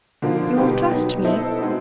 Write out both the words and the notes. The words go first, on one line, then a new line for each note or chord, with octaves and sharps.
You'll trust me?
D3 F3 A#3 D#4
B2 G3 B3 D#4 G4
F#3 B3 D#4
B3 E4 A4 C5 D#5
G#3 C4 D#4 F#4